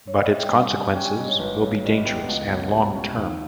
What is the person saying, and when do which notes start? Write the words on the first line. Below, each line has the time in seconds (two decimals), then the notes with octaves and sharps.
But its consequences will be dangerous and long-term.
0.07 C#5
0.18 D#5
0.28 E5
0.39 G5
0.50 G2 G#5
0.72 G3 G#5
0.95 C#4 G5
1.06 G#5
1.17 G2 D#5
1.28 C#5
1.39 G#1 B4
1.61 G2 C#5
1.84 G3 D#5
1.95 E5
2.06 B3 G5
2.28 C#2 D#5
2.51 B2 C#5
2.73 G3
2.96 C#4
3.17 D#2 D#4